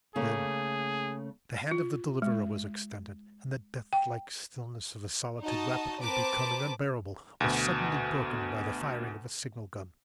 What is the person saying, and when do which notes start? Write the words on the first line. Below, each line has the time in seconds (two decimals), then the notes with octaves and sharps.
Then the hand of the Deliverer was extended, and the death-like stillness of a solitude rapidly becoming unbearable was suddenly broken by the firing of a signal-gun.
0.16 C#3 A3 A#3 G#4
1.71 F4
2.22 G#3
3.93 G5
5.45 D#4 F#4 D#5 A5
6.02 C4 A#4 B4 A5 D6
7.40 D2 B2